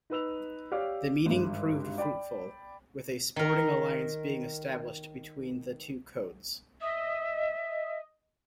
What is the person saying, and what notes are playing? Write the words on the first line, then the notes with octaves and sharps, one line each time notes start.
The meeting proved fruitful, with a sporting alliance being established between the two codes.
D#4 B4 E6 F7
G4 C#5 D5 F5 D6 F6
G#1 G2
D5 G5 B5
D#3 A#4
D#5 E5